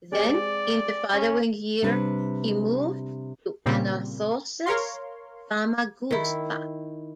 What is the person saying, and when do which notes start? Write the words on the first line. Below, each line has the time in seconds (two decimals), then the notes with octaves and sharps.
Then in the following year he moved to Anorthosis Famagusta.
0.12 G#3 C4 G4 D5
1.13 C#4
1.82 C3 G3 D4 B4
3.66 A#2 C#3 G3 A#3 C4
4.66 A#4 C#5 F5 C6
6.11 D#3 E4